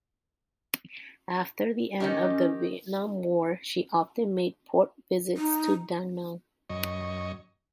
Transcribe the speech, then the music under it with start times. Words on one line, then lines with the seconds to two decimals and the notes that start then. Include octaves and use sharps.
After the end of the Vietnam War, she often made port visits to Danang.
2.00 D#3 C#4 D#4 G4
5.37 D#4
6.70 F#2 D#5 C#6